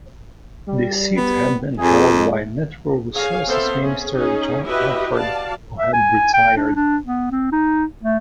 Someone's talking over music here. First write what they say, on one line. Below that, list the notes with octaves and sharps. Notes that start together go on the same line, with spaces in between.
The seat had been held by Natural Resources Minister John Efford, who had retired.
G3
B3
F2 G#4
G#3
G#4 C#5 F5 G#5
B3 C4 A4 C5 E5 F5
C#4 G#4
C#4 D#4 G#4
E4 F#4 G4 B4 D#5 E5
F#4 D5 F5 A5
E5
G#5
G5
D4
D4
B3
C4
D#4
A3